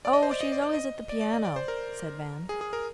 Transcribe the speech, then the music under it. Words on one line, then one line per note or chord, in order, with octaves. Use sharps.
"Oh, she's always at the piano," said Van.
D5
D#5
C5
D5
D#5
D5
D5
D#5
D5
D5
D#5
D5
C5
A#4
G#4
G#4
A#4